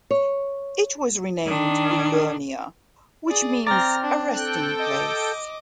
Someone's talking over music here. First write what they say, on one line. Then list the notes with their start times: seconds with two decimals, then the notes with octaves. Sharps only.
It was renamed Lurnea which means "a resting place".
0.11 C#5
1.46 D#3 D4
3.28 G#4 D5
3.67 C4 D5 A#5 F6
4.04 D4
4.35 A4 G5 F#6
4.78 D#5 D6